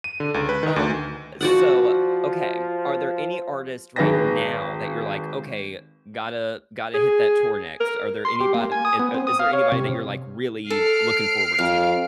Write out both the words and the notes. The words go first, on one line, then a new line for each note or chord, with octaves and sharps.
Um, uh, so, okay. Are there any artists right now that you're like, "Okay, gotta gotta hit that tour next." Are there anybod eh uh, is there anybody that you're, like, really looking forward to?
D#7
D3
C#2
B4
D#3
D2
F3 F#4 D5 F#5
G#1 G#4 B4 G5 A#6
G#4
A#4
C6
G4
A#3
G#5
D#6
B3
C4
D#6
F5
C#5
C3
A4 F6 C7 D7
F2 F5